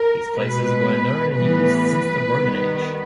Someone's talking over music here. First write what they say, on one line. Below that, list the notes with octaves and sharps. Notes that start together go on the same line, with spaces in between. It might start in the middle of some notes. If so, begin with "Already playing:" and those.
These places were known and used since the Roman age.
Already playing: A#4
B2 G#3 B3 B4
A2 E3 G3 B3 B4
D#3 G3 B3